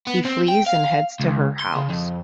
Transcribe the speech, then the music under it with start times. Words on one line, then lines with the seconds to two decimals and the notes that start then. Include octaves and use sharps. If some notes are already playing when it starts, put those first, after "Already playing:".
He flees and heads to her house.
0.07 B3
0.25 C4
0.48 G5
0.66 F5
1.20 C#2
1.59 C6
1.76 C#3
1.89 F2